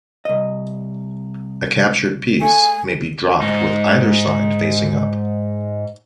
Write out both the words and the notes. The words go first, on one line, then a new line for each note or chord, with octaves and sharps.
A captured piece may be dropped with either side facing up.
C2 D#5
A3 G#5
G#2 D#4